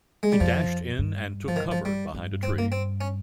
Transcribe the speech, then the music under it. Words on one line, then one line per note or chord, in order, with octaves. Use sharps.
He dashed in and took cover behind a tree.
G#3
G3
F2 F3
G2
F3
D#3
F3
G3
G2
C4
A#3
C4
C#4